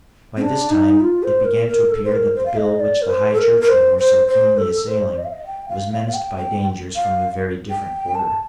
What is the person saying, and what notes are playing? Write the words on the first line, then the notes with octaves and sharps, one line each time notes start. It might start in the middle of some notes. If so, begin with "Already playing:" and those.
But by this time it began to appear that the bill which the High Churchmen were so keenly assailing was menaced by dangers from a very different quarter.
C4
D4
D#4
F4
C5
A#4
A#4
A4
C5
A#4
C5
F5
D#5
D5
A#4
C5
A4
A#4
A#4
C5
C5
C5
A4
C5
D#5
F5
D#5
G5
F5
F5
F5
G5
G5
F5
G5
A5